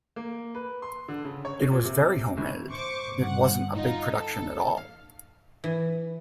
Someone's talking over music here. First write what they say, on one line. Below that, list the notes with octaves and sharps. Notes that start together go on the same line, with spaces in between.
It was very home-made; it wasn't a big production at all.
A#3
B4
C6
D3
C#3
C#5
C#4
A#2
C3
G1
C5 C#6 D6
G1 F#5
D#4 F4
A4
F5
E3